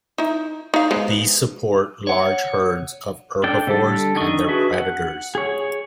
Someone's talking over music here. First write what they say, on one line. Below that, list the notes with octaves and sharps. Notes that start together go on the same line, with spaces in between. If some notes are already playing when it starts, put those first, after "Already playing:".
These support large herds of herbivores and their predators.
D#4 E4
D#4 F5
G#3 B3 C5
C#5 F#5
D4 A4 D5 G5
D3 G3 A4
D3 D#3 D4 D#5 C#6
D4 F#4 G#4 B4 E5
F#5
G#4 C#5